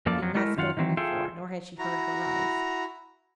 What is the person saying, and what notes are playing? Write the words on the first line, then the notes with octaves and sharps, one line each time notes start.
She had not spoken before, nor had he heard her rise.
F#2 F3 A#3 F4 A4 D5
F2 F3 F#3
G#3 A3 E4 A#4
F#2 D#3 F4 F5 F#5
D#3 E3 F#3 C4
F4 G#4 A4 E5 F5 G5
E4 F#4 A#5